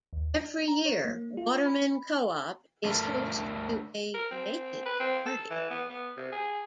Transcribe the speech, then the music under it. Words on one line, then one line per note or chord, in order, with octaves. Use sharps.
Every year Watermyn Coop is host to a Naked Party.
D#2
D4
A#5
C#5
A#3
F4
B5
A3 D4 A4 A#4
A#4
C4
B4
C4
A4
E3
B3
B3
C3
G#4